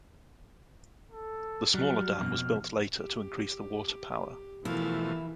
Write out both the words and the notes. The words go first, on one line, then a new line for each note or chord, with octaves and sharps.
The smaller dam was built later to increase the water power.
A4
F#3 G3 F6
F2 B2
G4
B2 E3 F3 A3 E4 A#4 F5